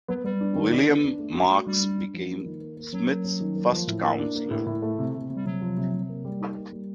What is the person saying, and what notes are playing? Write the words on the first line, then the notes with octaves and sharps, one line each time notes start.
William Marks became Smith's First Counselor.
F#3 B3
G3 B3
D4
D#3
D4
B3
D4
A3
F#4
A3
G3 D4
D4
D4
F3
A#3
D#3
A#3
A#3
F#3 C#4
A#3
C#4
D#3
A#3
F3
A2
A#3
D4
A#3
A2
A2
A3
C3
C3
C3
G3
C3 F#3
F3
C3
C3
A#3
G3
D#4
A#3
G3